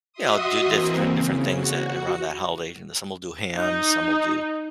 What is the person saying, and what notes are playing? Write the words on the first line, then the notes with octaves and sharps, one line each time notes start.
you know, do differen different things eh around the holiday. And then some will do ham, some will do,
F#4 D#5 E5 C6 D#6
E3 A#3 C4
C#3
F#4
D#4